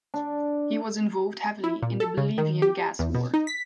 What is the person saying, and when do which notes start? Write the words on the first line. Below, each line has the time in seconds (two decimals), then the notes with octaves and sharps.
He was involved heavily in the Bolivian Gas War.
0.14 D4
1.64 E4
1.82 A#2
2.00 A4
2.17 C#3
2.38 D#3
2.62 G4
2.99 E2
3.15 B2
3.34 D#4
3.47 B6